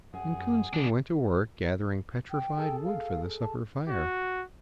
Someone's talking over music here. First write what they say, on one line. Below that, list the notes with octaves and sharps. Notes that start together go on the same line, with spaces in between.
And Coonskin went to work gathering petrified wood for the supper fire.
F#2 G#4 F#5
D3 E3 D4
G5
G#4 A4
F5
A5
F#4